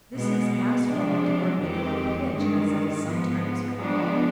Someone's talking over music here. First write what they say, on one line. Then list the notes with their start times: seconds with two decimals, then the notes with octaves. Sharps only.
This is asphalt, or mineral pitch as it is sometimes called.
0.15 B2 G#3 B3
0.88 C3 F3 G#3 D4
1.60 F2 D#3 G#3 C4 G4
2.32 G2 D#3 G#3
3.04 G#2 F3 B3
3.76 F3 G#3 B3 D4